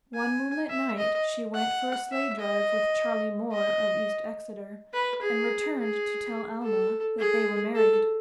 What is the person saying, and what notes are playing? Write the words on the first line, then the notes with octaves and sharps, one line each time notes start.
One moonlight night she went for a sleigh-drive with Charlie Moore of East Exeter--and returned to tell Alma that they were married!
G#5
E5
D#5
F#5
E5
D#5
D#5
B4
G#4
G#4
A4
G#4
A4